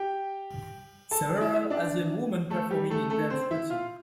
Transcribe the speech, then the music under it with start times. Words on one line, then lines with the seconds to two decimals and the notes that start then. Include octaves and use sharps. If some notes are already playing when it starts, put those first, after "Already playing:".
Several Asian woman performing in dance routine.
Already playing: G4 G5
1.11 A4 A5
1.36 D5
1.41 E4 E5
1.70 D4 D5
2.50 A3 A4
2.71 G3 G4
2.90 A3 A4
3.10 A3 A4
3.30 C4 C5
3.51 E4 E5
3.70 F4 F5